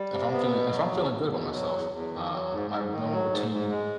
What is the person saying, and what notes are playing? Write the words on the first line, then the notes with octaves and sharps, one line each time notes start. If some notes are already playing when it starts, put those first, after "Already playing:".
if I'm feeling if I'm feeling good about myself, um, r my normal routine
Already playing: G3
C3
B3
B2
F#3
E2
E2
B2
F#3
E2
E2
D#3
F#3
G#2
G#2
D#3
F#3
G#2
G#2
G#3